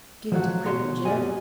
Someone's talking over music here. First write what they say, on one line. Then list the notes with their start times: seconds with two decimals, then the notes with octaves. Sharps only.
"Give it to cripple Jim."
0.32 F3 F#3 F#4
0.65 B2 C#5 C6
1.05 F#2 G4 D5 D#5 G#5